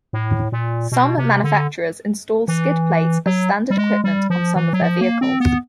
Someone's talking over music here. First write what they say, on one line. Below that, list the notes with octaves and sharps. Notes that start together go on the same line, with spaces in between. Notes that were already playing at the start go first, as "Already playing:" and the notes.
Some manufacturers install skid plates as standard equipment on some of their vehicles.
A2
A#2
B2
C3
D3
E3
F#3
G3
G#3
G3
F3
E3
F#3
F3
A#3
C4
B3